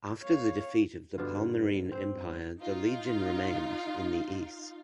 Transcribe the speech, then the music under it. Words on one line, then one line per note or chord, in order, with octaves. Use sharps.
After the defeat of the Palmyrene Empire the legion remained in the east.
C#5 F5
G2 B2 D3 F4
C4 C5
D#4 F4 F5